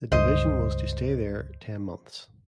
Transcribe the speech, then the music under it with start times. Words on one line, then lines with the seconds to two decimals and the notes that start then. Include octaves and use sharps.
The division was to stay there ten months.
0.12 C#2 G2 C5 D#5